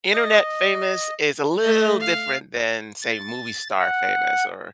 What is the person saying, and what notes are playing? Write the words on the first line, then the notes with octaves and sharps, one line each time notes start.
Internet famous is a little different than, say, movie star famous or
D#5
A3 D#5
F5
A6
F#5